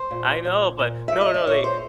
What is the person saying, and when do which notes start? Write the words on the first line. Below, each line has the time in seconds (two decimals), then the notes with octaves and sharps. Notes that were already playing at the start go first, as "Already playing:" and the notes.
I know, but no, no, they
Already playing: C5
0.11 A#2
0.45 A#2
0.79 A#2
1.08 A#2 E5
1.21 D#5
1.34 D5
1.46 A#2 C#5
1.64 C5